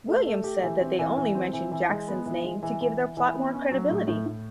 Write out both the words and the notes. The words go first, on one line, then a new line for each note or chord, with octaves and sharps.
Williams said that they only mentioned Jackson's name to give their plot more credibility.
A3
A3
G4
E3
C4
E3
E3
C4
E3
E3
G#3
B3
E3
G#3
E3
E3
E3
E3
B3
C#4
F#3
A2
A2
A2